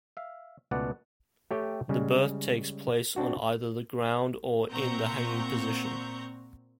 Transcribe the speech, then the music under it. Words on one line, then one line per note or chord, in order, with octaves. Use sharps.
The birth takes place on either the ground or in the hanging position.
E5 F5
C#2 B2 A3 B3 D5 F#5
A3 G4 C#5 G5
C#3 G3 G#3
C4 D4 F#4
A#2 C4 F#5 A#5 C#6 G6